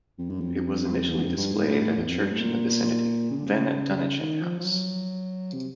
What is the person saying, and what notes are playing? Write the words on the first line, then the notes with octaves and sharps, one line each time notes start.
It was initially displayed at a church in the vicinity, then at Dunnichen House.
F2
F#2
F2
E2
E2
F2
G2
G#2
A2
A2
E2
F2
G2
A2
A#2
C#3
D3
C#3
D#3
F3
F3
F#3
C3